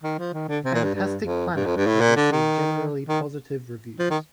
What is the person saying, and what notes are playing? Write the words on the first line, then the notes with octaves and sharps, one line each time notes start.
"Fantastic Planet" has received generally positive reviews.
D#3
F3
D#3
D3
C3
A#2
G2
G2
F2
G2
F2
G2
A2
A#2
D3
D#3
D#3
F3
D#3